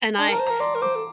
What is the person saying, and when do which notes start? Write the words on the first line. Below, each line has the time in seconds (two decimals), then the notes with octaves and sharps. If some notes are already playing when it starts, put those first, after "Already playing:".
And I n
0.19 D4 A5
0.29 A#4
0.33 A#5
0.40 C5
0.47 A#4 A#5
0.60 D5 C6
0.75 A#4
0.82 C5 D6
0.95 A4